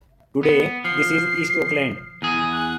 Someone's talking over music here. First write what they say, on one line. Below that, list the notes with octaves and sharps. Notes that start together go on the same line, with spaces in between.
Today this is East Oakland.
B3
F3 C7
E2 G#4 D#7
F#6